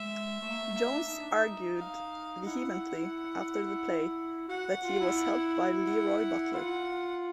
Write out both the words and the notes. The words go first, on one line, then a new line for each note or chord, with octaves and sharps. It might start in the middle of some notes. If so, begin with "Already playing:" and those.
Jones argued vehemently after the play that he was held by LeRoy Butler.
Already playing: G#3 E5
A3
A#3
A3
A#3
D4
D#4
D4
D#4
F5
E4 F#5
F#4 F#5
F4
E4
F#5
F4 F#5